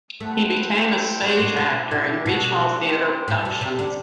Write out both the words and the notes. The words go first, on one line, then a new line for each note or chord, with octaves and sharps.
He became a stage actor in regional theater productions.
A3 B3 E4 G4 C5 F#5
B3 E4 A4 C5 G5
G3 A3 D4 F#4 C5
A2
B2
A3 E4 G4
B2
B2 A3 D4 F#4 A4
C4 G4 C5
A2 G3 D4 A4 C5
B2
C3
D3